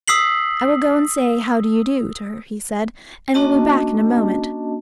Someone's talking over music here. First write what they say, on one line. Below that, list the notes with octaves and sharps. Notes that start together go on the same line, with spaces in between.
"I will go and say 'How do you do?' to her," he said, "and will be back in a moment."
D#6 E6 B6 C7 F#7
A#3 C#4 D4 F#4 D#5 A5